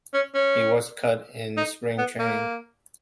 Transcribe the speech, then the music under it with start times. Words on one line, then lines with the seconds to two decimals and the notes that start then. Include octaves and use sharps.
He was cut in spring training.
0.14 C#4
0.34 C#4
1.57 D#4
1.98 B3
2.19 A#3